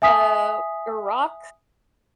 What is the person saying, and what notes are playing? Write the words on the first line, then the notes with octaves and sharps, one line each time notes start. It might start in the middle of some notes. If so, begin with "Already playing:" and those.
Uh, Iraq,
E5 G#5 D#6 B6